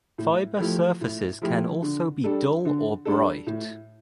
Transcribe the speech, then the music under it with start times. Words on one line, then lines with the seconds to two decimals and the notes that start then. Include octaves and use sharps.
Fiber surfaces can also be dull or bright.
0.18 A2
0.60 F3 A3 E4 G4
1.01 A2
1.42 F3 A3 E4 G4
1.82 D3
2.24 G3 D4 A4
2.65 D3
3.05 G3 D4 A4
3.47 A2